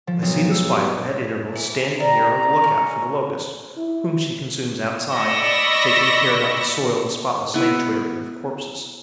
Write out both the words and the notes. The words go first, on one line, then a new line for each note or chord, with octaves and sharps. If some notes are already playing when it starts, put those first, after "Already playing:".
I see the Spider, at intervals, standing here on the look-out for the Locust, whom she consumes outside, taking care not to soil the spotless sanctuary with corpses.
F3
B1
F3
E6
G4
E3
G3 A#5
C#4
E4
D5 D#5 B5 C#6 E6 A#6
B3 E4 B4 F#5